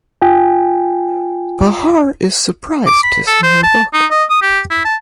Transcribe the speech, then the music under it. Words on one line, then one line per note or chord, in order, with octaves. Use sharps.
Bahar is surprised to see her book.
F4 G5 G#5
D6
B5
A4
C5
A5
D#4
D#5
D#6
G4
E4
A5